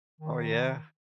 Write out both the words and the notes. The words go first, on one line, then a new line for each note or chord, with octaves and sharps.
Oh, yeah?
D#3